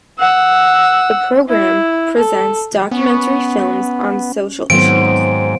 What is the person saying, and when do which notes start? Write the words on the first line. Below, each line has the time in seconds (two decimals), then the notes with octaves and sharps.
The program presents documentary films on social issues.
0.19 F#5 E6
1.49 E4
2.17 A4
2.91 B3 C#4
4.70 G#2 D#3 F#3 B3 C4 F4 D7